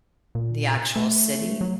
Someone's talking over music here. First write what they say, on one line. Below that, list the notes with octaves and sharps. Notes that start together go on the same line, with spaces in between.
the actual city
A#2
A3
F#3